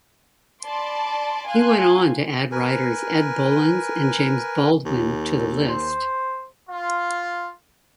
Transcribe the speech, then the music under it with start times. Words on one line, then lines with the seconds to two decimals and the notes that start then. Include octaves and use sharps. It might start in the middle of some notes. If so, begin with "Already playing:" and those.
He went on to add writers Ed Bullins and James Baldwin to the list.
0.64 D5 A5 B5 C6 D6
1.50 F5 G#5 A5 C6 F#6
2.52 A#4 B4 G#5
4.85 D#2
5.69 C5
6.69 F4